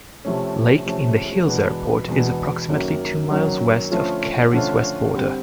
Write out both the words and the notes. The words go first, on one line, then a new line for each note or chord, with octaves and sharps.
Lake in the Hills Airport is approximately two miles west of Cary's west border.
C3 F3 A3 C#4
C3 F3 A3 C#4
E2 B2 G#3 B3 D4
E2 B2 G#3 B3 D4
F#2 D#3 F#3 A#3 C#4
F#2 D#3 F#3 A#3 C#4
D3 F3 A3 C#4 F4
D3 F3 A3 C#4 F4
D3 G3 C4